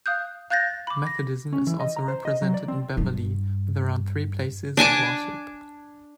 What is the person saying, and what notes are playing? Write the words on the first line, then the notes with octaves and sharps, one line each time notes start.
Methodism is also represented in Beverley with around three places of worship.
F5 D#6 F#6 G6
F5 F#6 G6 A6 A#6
B5 D6
A#6
C#4
E3
D#5
A#5
C5
D#5
F#3
D5
C4
G2 D4
D4 G#5 A5 D6